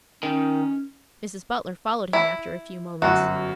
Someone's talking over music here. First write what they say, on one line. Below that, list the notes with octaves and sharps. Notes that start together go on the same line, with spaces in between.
Mrs. Butler followed him after a few moments.
D#3 C#4
E4
G1 F#2 F#4